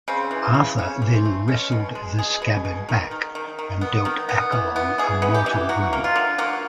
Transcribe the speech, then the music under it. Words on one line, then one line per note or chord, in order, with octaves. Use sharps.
Arthur then wrestled the scabbard back and dealt Accolon a mortal wound.
C#3 C4
E3
C#3
C#3 C#4
E3
C4
A3
B2 C#4
B2
G#3
B2 G#4
B2
B2
D#3
D#3
D#3
D#3
B3
D#3
B3
E3
B3
E3 G#4
B3
G4
E3
F#3 F#4
A#3
F4
D3
A#3 F#4